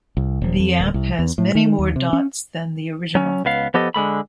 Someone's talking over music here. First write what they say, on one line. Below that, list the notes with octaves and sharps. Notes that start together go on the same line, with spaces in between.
The app has many more dots than the original.
C2
D#1
F2
D1
C2
E2
A2
D#3
D#2
C3
C#4
F#3 C#4
C#2 B3 F5
F3 B3 G4 A4 D#5
D3 G#3 A3 B5